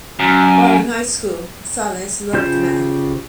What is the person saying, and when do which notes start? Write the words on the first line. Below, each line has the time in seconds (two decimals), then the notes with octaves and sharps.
While in high school Salles loved math.
0.20 F#2
2.33 C#3 F4 G4 C5 G6